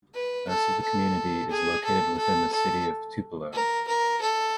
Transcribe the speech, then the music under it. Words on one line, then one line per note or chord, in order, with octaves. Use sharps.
Most of the community is located within the city of Tupelo.
B4
A4
A4
G#4
A4
A4
A4
A#4
A#4
A4